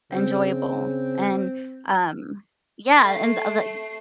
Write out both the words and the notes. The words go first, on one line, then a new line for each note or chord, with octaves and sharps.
enjoyable, and, um yeah, and l like,
C#3 C4
A3 C7